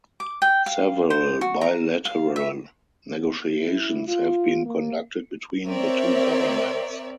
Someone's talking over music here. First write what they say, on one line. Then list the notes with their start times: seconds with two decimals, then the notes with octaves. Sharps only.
Several bilateral negotiations have been conducted between the two governments.
0.20 D6
0.42 G5
0.66 F5
1.10 C5
1.41 F#4
1.61 A#5
2.05 F5
2.36 E5
3.57 E4
4.08 F4
4.66 A#3
5.68 C4 A#4 C#5 D5 E5